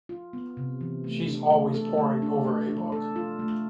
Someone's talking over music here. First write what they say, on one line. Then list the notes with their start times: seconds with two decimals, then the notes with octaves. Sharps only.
She’s always poring over a book.
0.09 F4
0.33 B3
0.57 C3
0.81 E3
1.04 A3
1.27 D4
1.51 A3
1.74 A4
1.98 A3
2.22 D4
2.45 A3
2.69 D4
2.92 A4
3.16 F4
3.39 A3